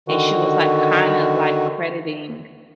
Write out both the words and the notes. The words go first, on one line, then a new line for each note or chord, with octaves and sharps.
and she was like kind of like crediting,
D3 D#3 F#4